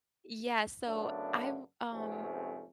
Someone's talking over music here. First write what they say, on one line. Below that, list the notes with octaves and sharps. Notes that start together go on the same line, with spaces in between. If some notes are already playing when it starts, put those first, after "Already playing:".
Yeah, so I'm, um,
F#2 C#3 A3 B3 D4
F2 G#2 C3 A3 B3 C#4